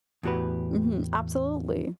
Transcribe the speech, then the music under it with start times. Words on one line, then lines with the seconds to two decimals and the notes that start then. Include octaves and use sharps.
Mhm. Absolutely.
0.23 E2 A2 F#4 G4 B4